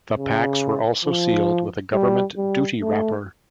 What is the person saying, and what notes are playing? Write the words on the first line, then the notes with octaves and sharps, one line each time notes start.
The packs were also sealed with a government duty wrapper.
C#3
F3
G3
G3
A3